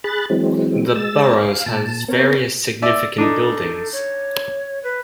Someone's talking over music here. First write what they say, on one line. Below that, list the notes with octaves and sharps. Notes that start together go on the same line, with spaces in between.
The Burroughs has various significant buildings.
G#4 B5 F#6 A6
E3 F#3 G#3 C4
G#3 E6 A6
F5
A#2 A5
B3 C4 A#4 C#5
D5 E5 E6
D4 D#4 A4
C#5
B4